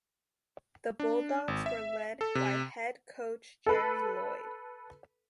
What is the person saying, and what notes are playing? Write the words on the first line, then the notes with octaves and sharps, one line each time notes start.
The Bulldogs were led by head coach Jerry Loyd.
D4
G#1
E5
A4
C3
A4 B4